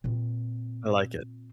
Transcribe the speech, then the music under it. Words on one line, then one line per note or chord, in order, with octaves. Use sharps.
I like it.
A#2 C4